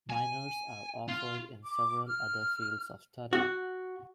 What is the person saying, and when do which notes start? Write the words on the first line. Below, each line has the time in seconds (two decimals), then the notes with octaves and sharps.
Minors are offered in several other fields of study.
0.10 G#5
1.09 F4
1.64 D6
2.07 F6
3.33 F#4